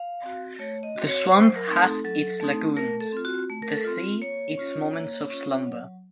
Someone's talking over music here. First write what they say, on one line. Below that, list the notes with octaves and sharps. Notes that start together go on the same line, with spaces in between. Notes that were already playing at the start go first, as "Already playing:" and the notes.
The swamp has its lagoons, the sea its moments of slumber.
Already playing: F5
C4 F#4
A3 C#5
D#5
C4 F#4
C#5
F#3 C5
A#4
A3 C4 D#4
A4
F#3 A4
A3 C4 D#4
A3 A#4
A4
C4 F4
F#4
A3
A#4
A4
C4 F4
A#3 C#5
C#4 F4
A#3
C#4 F4
F#3